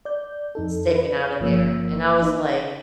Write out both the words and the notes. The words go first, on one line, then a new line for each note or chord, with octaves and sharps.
sticking out of there. And I was like
D5 G6
F2 D#4 A4
B4
G1 F3 A#3 E6
D#4